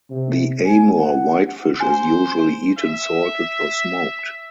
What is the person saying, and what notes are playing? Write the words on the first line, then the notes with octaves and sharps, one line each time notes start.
The Amur whitefish is usually eaten salted or smoked.
C3
G#5
F#5
C5 G#5
E5